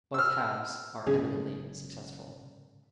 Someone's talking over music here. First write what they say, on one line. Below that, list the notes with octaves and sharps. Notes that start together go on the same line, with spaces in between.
Both halves are eminently successful.
E6 F6
F#1 G#2 C#3 C#4 G#4